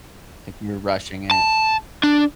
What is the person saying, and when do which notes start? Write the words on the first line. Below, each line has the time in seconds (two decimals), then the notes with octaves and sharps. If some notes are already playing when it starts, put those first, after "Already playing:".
Like, we were rushing it.
1.31 A5
2.03 D4